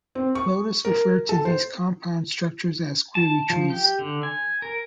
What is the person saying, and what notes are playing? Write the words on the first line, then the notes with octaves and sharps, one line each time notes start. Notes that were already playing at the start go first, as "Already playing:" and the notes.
Lotus referred to these compound structures as "query trees".
C4
C#6
A#4
A4
C5
A5
F3
G4
D3
G#5
A#4